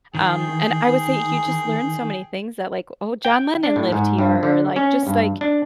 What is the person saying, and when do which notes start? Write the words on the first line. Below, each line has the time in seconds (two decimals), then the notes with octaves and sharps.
Um, and I would say you just learn so many things that, like, "Oh, John Lennon lived here," or, like, just, like
0.15 D#3 G#4 G5
3.25 G5
3.63 D4
3.76 A2
3.92 G#2
4.18 G2
4.43 D3
4.76 C#4
5.07 G2
5.41 D4